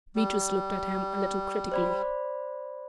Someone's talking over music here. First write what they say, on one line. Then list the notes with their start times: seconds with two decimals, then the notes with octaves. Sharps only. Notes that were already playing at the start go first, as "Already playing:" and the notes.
Beatrice looked at him a little critically.
0.16 G3
1.72 C5 D5 B5